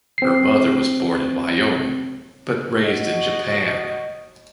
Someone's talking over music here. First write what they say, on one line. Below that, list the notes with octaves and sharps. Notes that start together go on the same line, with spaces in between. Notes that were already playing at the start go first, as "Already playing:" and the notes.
Her mother was born in Wyoming but raised in Japan.
C4 C7
F#4 D#5